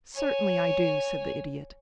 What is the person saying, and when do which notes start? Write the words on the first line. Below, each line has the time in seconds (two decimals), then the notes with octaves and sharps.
"Certainly, I do," said the Idiot.
0.15 C#5 G#5